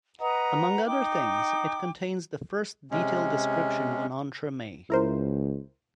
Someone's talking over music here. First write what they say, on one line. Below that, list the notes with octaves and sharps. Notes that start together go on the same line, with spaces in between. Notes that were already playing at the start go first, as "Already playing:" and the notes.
Among other things, it contains the first detailed description of an entremet.
B4 D#5 F#5 A#5
D#4 G5 D6
C3 G#3 C#4
C#2 E4 A#4 C5